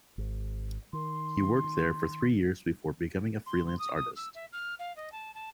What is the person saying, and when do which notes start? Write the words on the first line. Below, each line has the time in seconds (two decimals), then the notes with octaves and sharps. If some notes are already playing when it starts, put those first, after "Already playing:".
He worked there for three years before becoming a freelance artist.
0.18 G#1
0.93 D#3 C6
3.46 C6
3.67 C6
3.79 D#6
3.95 D#6
4.16 E6
4.35 E5
4.53 F6
4.79 F5
4.96 D#5
5.12 A5
5.35 A5